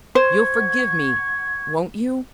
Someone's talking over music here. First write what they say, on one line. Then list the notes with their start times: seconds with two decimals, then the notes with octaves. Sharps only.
You'll forgive me--won't you?
0.15 C5 F#5 C#6 G#6